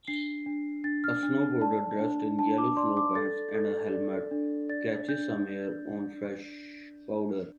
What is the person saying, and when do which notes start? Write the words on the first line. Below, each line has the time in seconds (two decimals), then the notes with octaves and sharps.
A snowboarder dressed in yellow snow pants and a helmet catches some air on fresh powder.
0.08 D4 C7
0.46 D4
0.84 D4 A6
1.04 F6
1.23 D4
1.61 D5 A5
2.00 D4
2.39 D4 A5
2.58 D6
2.77 D5 C6
2.97 D6
3.15 A4 A6
3.54 A4
3.92 D5
4.31 D4
4.69 D5 A6
5.09 D4 G6